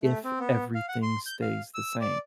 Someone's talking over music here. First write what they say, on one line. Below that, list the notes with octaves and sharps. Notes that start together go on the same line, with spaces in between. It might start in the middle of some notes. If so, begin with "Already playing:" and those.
if everything stays the same.
A3
C4
B3
F5
F#5
C6
G6
F5
E6
D5